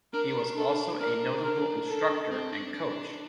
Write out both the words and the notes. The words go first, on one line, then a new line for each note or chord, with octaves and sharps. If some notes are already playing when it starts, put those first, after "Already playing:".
He was also a notable instructor and coach.
D4 A#4
A4
D4 A#4
A#4
A4
C4
D4
D4